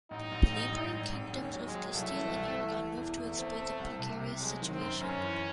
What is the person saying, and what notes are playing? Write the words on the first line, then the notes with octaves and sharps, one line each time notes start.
The neighbouring kingdoms of Castile and Aragon moved to exploit the precarious situation.
A1 D#4
A1
A1
G#1
G#1
G#2
D#2 C#4
F#3
G#3
F#3
C2 A3
E3
C2
E3
E3
E2
E2 A3
C4
C4
C2
C3
C3
F#3 G#3
D#3
C4
F#2
F#2 C#4
E3